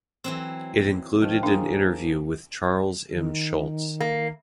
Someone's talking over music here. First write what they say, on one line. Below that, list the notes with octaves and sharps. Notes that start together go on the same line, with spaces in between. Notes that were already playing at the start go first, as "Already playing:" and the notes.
It included an interview with Charles M. Schulz.
E3 F#3 C4
D#3 F3 D4 G5
A#3 D4 G#4
D#3
A#3